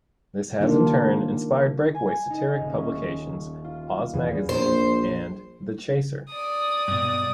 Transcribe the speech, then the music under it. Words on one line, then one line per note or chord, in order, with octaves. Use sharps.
This has in turn inspired breakaway satiric publications "Oz Magazine" and "the Chaser".
D#3 G3 A#3 D4 F4
G#5
D#4
D#1
C#4
F4
E2
A#1 C5
D5 D#6
G2 B2